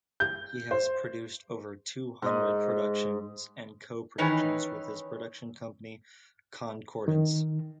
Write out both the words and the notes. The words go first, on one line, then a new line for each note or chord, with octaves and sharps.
He has produced over two hundred productions and co-productions with his production company Concordance.
G6
C5
G#2 D#5
D#3 E3 C#4 D#4 B4
D#3